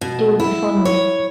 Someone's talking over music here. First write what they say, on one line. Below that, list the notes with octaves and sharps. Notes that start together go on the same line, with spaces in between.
Do it the fun way.
B2
E4
C#5